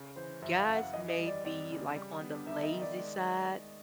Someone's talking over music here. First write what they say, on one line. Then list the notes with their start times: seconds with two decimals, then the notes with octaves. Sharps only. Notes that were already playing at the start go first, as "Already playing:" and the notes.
guys may be, like, on the lazy side
Already playing: C#3
0.16 E3 C5
0.42 F#2 E5
0.59 F5
0.68 F#2
0.76 F#5
0.93 E3 D#5
1.10 D#5
1.19 G3
1.27 D5
1.45 C4 D5
1.71 C#3
1.96 G3
2.21 B3
2.46 D#4 E5
2.63 D#5
2.73 D#3
2.82 D5
2.99 G#3